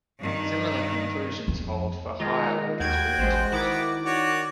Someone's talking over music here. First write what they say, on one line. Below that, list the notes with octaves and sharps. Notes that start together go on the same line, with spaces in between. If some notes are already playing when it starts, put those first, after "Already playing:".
Similar conclusions hold for higher order derivatives.
G2 D#3
F2
D#3 G#3 F4 A#5
D#2 F#4 G5 G#6
A1 G#3 C5
D#3 B3 E4 D6
F#4 C#5 D5